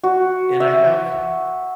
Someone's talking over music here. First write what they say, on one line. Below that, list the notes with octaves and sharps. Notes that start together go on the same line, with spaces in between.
and I have,
F#4
E5